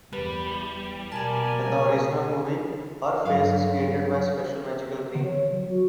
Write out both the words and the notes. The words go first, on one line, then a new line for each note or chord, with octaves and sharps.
In the original movie, her face is created by a special magical cream.
E2 G3 B4
B2 A#3 A#4 D5 G#5 A5
G2 F#3 F5
C#5
F#3
F#4